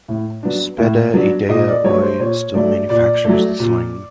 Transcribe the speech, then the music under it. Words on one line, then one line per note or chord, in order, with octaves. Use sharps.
Spede-Idea Oy still manufactures the sling.
A2
F#3 B3 D4
A2
F#3 B3 D4
A#2 D#5
D5
F#3 A3 C#5
C5
A#2 C#5
F#3 A3 D5
A#2 D5
F#3 A3
A#2